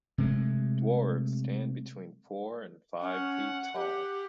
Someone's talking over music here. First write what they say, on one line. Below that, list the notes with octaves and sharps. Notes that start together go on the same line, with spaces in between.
Dwarves stand between four and five feet tall.
C3 G#3 A3
C#4 F#5
G4